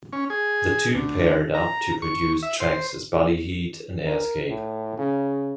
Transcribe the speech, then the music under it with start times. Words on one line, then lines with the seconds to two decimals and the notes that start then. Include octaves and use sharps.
The two paired up to produce tracks as Bodyheat and Airscape.
0.13 C#4
0.30 G#4
0.95 D2
1.55 A#5
2.02 C#6
2.43 E5
2.60 C5
4.06 A#4
4.49 A2
4.98 C#3